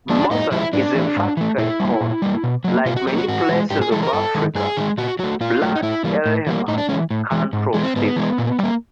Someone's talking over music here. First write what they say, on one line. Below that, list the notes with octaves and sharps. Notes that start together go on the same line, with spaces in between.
Mourzuk is emphatically called, like many places of Africa, "Blad Elhemah", country of fever.
F3 G#3 D4
A2 D#4
F3 G#3 E4
G#2 D4
E3 A3
G#2
E3 A3
A#2 E4
G3 A#3
A#2
G3 A#3
B2
F#3 A#3
B2 F4
F#4
F#3 A#3 G4
F#4
G#2 F#4
E3 G#3
G#2 G4
G#4
E3 G#3 A4
A#4
G2 A4
D#3 G#3
G2 G#4
D#3 G#3
A#2 F#4
F#3 A3 F#4
A#2 F4
F#3 A3
D#4
A2 E4
E3 G3 A#3
A2
E3 G3 A#3
A2 D#4
D4
E3 G#3 C#4
A2
E3 G#3
G#2
E3 G#3
C4
G#2 B3
E3 G#3
A#2
G3 A#3